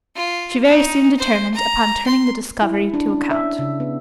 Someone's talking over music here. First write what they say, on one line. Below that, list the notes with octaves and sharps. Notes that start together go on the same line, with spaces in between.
She very soon determined upon turning the discovery to account.
F4
D#4
C5
A#5
C6
E4
D4
C#4
E5
C#3
B3